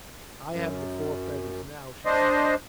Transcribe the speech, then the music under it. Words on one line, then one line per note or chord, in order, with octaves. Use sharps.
"I have the four feathers now," she said.
F#2
D4 C5 D#5